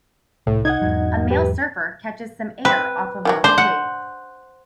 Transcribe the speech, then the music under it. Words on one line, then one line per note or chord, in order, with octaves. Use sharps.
A male surfer catches some air off of a big wave.
C2 A2
D#4 D#5 F#5 G#6
E2 G#2 F#3
G4 B4
C4 B4
D#3 E3 F#3
D4 C5
F#5